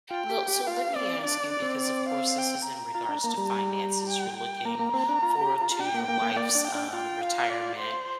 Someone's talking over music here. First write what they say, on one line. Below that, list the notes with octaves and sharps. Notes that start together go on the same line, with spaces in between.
Le so let me ask you because, of course, this is in regards to finances, you're looking forward to your wife's, um, retirement.
F4 G5
G4
G4
F4 F5
C4 D5
D4 D5
D4
D5
C4
D5
F5
G5
A#5
F4
D4
A#3
G3
G5
G5
A#3 A#5
A#3
C4
D4
F4
G4
F4
F4
D4 G5
A#3
A#3 G5
A#3
A#3 D5
D4
G5
D4
F4 G5
F5
D5
C5